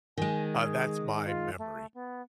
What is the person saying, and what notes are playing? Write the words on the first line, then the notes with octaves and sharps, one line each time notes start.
uh, that's my memory.
D#3 G#3 G#5
G#4
F4
A3
B3